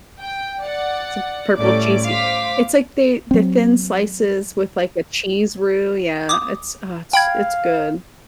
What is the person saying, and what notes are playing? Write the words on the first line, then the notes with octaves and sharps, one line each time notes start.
T purple cheesy. It's, like, they, the thin slices with like a cheese roux, yeah, it's, uh, it's good.
G5
D5 F#5
A2 G3 A3 C#4 D5 D6
C5 F5 D6 B6
F#3 C4
D6 D#6
F5 G5 B5 G#6